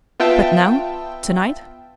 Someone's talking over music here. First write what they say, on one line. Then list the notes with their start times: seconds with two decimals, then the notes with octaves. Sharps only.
"But now--tonight?"
0.20 B3 F4 E5 G5 A5